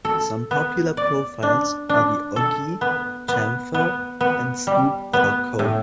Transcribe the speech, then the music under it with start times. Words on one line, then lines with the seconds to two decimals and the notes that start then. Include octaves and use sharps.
Some popular profiles are the "ogee", "chamfer", and "scoop" or "cove".
0.05 A4
0.51 B3
0.97 D5
1.43 D4
1.89 D4
2.36 A4
2.81 B3
3.28 B3
3.74 B3
4.21 B3
4.67 G3
5.13 B3
5.59 A2